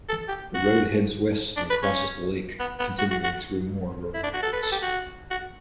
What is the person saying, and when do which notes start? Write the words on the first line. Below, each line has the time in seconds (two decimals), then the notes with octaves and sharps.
The road heads west and crosses the lake, continuing through more rural areas.
0.09 A4
0.29 G4
0.55 F#4
1.57 D4
1.70 B4
1.83 C#4
2.60 B3
2.80 B3
2.99 F#4
3.11 F#4
3.24 F#4
4.15 E4
4.23 D4
4.34 F#4
4.43 A4
4.53 B4
4.63 A4
4.72 G4
4.83 F#4
5.31 F#4